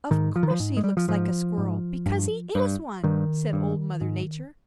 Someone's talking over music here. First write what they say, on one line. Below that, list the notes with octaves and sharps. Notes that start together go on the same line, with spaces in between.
"Of course he looks like a Squirrel, because he is one," said Old Mother Nature.
G#2 D#3
F3
D#3
F3
G#2
G#3
G3
F3
G#2 F3
G#2
G2
G2
G2 D#3
G2
G#2